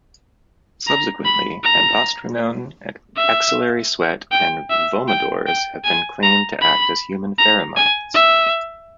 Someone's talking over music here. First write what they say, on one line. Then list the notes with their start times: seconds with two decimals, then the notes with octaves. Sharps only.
Subsequently, androstenone, axillary sweat, and "vomodors" have been claimed to act as human pheromones.
0.87 A#5
1.25 B5
1.64 A#5
3.16 E5
4.31 G5
4.70 E5
5.08 G5
5.47 G5
5.84 G#5
6.23 A#5
6.61 B5
7.38 A#5
7.76 G#5
8.14 E5